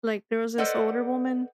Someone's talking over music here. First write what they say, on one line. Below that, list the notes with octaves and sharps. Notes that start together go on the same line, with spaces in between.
like, there was this older woman,
A4 B4 C5 D5 D#5 F#5